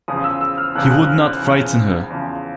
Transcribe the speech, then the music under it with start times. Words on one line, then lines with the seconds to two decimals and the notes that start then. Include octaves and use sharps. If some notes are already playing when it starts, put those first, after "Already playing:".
He would not frighten her.
0.08 E2 C#3 F3 D#6
0.24 E6
0.41 E6
0.58 F6
0.75 E2 C#3 F3 F#6
0.91 F#6
1.09 F6
1.25 F#6
1.42 E2 C#3 F3
2.10 E2 C#3 F3